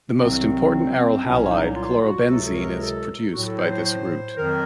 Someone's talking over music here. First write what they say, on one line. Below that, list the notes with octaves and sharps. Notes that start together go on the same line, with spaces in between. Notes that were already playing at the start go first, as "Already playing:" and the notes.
The most important aryl halide, chlorobenzene is produced by this route.
C2 C3 D#3 F#3 C4
C2 A#2 F#3 C#4
D#4
F4
F#4
C#2 C3 F#3 A4
A4
A#4
A4
A2 F#3 F#4
A4
C5
C5
C5
F2 D#3 F#3 A#4